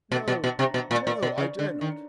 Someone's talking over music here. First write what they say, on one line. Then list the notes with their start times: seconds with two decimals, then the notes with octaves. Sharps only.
"No--no, I dare not."
0.12 B2
0.28 B2
0.44 B2
0.59 C3
0.74 B2
0.91 A#2
1.07 A#2
1.23 B2
1.38 C#3
1.59 D3
1.81 D#3